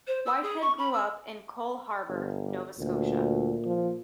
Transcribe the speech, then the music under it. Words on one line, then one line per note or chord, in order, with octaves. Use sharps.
Whitehead grew up in Cole Harbour, Nova Scotia.
C5
E6
G#4
C#6
B5
E6
G1
D2 A#2
F3